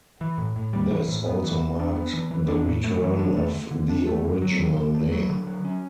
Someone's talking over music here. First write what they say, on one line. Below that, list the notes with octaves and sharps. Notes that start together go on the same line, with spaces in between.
This also marked the return of the original name.
E3
A2
A2
G3
E3
A2
B3
E3
E3
D4
B3
E3
E3
D4
A2
A3
E3
D4
A3
D3
D3
D4
A3
D3
F#3
D3
D3
A3
F#3
D3
F#3
C#4